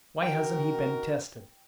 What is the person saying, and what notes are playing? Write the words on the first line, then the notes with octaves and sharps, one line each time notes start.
Why hasn't he been tested?
D#4 F#4 A#4 G5